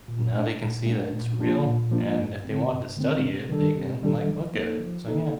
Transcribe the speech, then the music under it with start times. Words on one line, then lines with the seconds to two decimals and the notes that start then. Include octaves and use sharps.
Now they can see that it's real, and if they want to study it, they can, like, look at it. So, yeah.
0.08 A#2
0.35 A3 D4
0.61 A#2
0.86 A3 D4
1.13 A#2
1.39 F3 A#3 D4 F4
1.65 A#2
1.92 F3 A#3 D4 F4
2.18 G2
2.45 D3 A3 C4
2.71 G2
2.97 D3 A3 C4
3.24 C3
3.49 D#3 G3 D4 A4
3.76 C3
4.02 D#3 G3 D4 A4
4.29 F3
4.54 A#3 D#4 A4
4.80 F3
5.06 A#3 D#4 A4